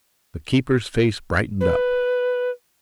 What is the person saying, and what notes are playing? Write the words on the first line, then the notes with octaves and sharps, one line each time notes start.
The keeper's face brightened up.
B4